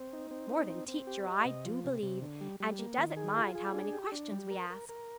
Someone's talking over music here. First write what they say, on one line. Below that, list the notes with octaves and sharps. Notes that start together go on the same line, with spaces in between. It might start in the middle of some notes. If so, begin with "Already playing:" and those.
More than Teacher, I do believe; and she doesn't mind how many questions we ask.
Already playing: C4
D#4
C4
D#4
C4
C4
G4
D#5
C3
F3
C3
C3
D3
G3
G3
A#3
D#3
G#4
F4
G#4
D4
G4
D4
G3
A#4
A#4
A#4